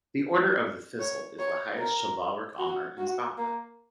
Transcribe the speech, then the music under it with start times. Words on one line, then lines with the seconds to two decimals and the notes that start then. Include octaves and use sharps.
The Order of the Thistle is the highest chivalric honour in Scotland.
0.99 C#5
1.39 C#5
1.78 A#4
2.58 F#4
2.98 F#4
3.37 A#3